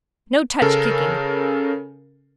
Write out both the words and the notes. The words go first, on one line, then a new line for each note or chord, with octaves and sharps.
No touch kicking.
C#3 C#4 A4 A#4